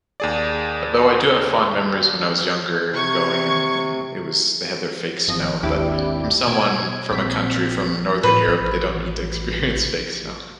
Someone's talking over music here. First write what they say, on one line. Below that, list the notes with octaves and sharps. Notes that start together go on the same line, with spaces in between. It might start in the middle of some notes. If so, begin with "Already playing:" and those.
Though, I do have fond memories when I was younger, going and and it was they had their fake snow, but, from someone from a country from Northern Europe, they don't need to experience fake snow,
D#2 G#4 D5
C3 C#6 G#6
G#1 F3 D#5
G#1 D#2 D4 E4 G4 D6
B2 G#6 D7
A#1 C4 B6
A2 B4
A1